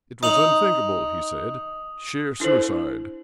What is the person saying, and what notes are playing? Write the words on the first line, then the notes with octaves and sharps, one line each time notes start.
It was unthinkable, he said. Sheer suicide.
D#4 D#6 F7 F#7
D4 E4 A4 C5